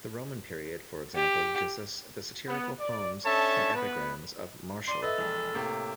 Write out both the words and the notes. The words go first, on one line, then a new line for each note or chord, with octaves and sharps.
The Roman period, for example, gives us the satirical poems and epigrams of Martial.
G4
B3
D5
C#4 D4 A4 C#5 E5 A5
B3 B4
D5 C6 D#7
A4 B4 D#5 E5
E1 A#1
A2 C3 A#3